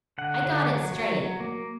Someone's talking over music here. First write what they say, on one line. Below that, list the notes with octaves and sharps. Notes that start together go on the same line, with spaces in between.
"I got it straight."
D3 F#5
D3
F#3
F#3
F#3
A#3